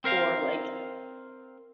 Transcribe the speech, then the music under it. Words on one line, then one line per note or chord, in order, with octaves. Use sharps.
or like
C4 A#4 C5 F5